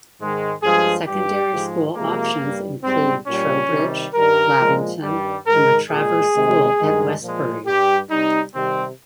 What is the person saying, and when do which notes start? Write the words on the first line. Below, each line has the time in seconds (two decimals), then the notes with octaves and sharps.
Secondary school options include Trowbridge, Lavington, and Matravers School at Westbury.
0.19 G#2 D#3 G#3
0.63 G2 F3 G#3 G#4
1.06 G2 G3 G4
1.51 G#2 F3 G#3
1.95 C3 F3 G#3 A#3
2.39 G2 G3
2.83 G#2 G3 C4
3.26 A#2 G3 C#4
3.70 C3 D#3 G3
4.14 G2 D#3 G3 A#4
4.58 A#2 F3 G#3
5.03 G2 D#3 G3
5.46 G#2 D#3 G#3 A#4
5.90 A#2 G#3 G#4
6.34 C3 D#3 G#3
6.78 G2 D#3 G#3
7.22 A#2 F3 G#3
7.66 G2 G3 G4
8.10 C3 G3 D#4
8.54 C3 D#3 G3 C4